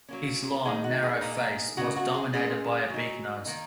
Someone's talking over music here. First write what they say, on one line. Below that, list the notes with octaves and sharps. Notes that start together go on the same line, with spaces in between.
His long, narrow face was dominated by a big nose.
F#3 A#3 C#4
D#3 G#3 D#4 G#4
F#4
G#4
A#2 A#3 D#4
C#3 F#3 D#4 F#4
F#4
G#4
A#2 G#3 C#4 G#4
F#3 D#4
D#3 A#3 D#4